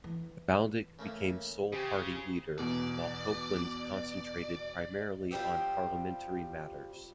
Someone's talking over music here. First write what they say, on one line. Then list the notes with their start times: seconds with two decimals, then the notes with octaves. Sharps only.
Baldock became sole party leader, while Copeland concentrated primarily on parliamentary matters.
0.04 E3
0.99 C#3 A3 A#3
1.73 C#3 G4 G#4 C5
2.59 E2 B2 D5
5.31 F3 G3 C4 G4 E5